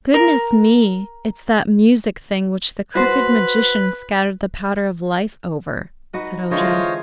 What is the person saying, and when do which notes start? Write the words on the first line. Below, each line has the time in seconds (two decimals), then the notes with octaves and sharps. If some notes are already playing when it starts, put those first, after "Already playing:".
"Goodness me; it's that music thing which the Crooked Magician scattered the Powder of Life over," said Ojo.
0.14 A#4
2.95 F#4 B4 C5
6.13 D#4 F#4 B4
6.51 D3 E3 G#3 F4 C5 C#5 D#5